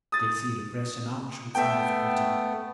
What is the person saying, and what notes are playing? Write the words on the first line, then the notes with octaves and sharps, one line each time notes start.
Stacy repressed an "ouch" with some difficulty.
D#6 A6
A3 B3 E5 G5